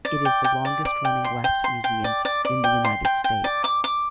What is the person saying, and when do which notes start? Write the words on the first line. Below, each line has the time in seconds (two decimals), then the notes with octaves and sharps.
It is the longest-running wax museum in the United States.
0.05 D5
0.25 G5
0.44 G5
0.65 D5
0.85 D5
1.05 G5
1.24 C6
1.44 G5
1.64 C6
1.84 G5
2.04 D5
2.25 D5
2.45 D5
2.64 G5
2.85 C6
3.05 G5
3.24 G5
3.44 D5
3.64 D6
3.84 D6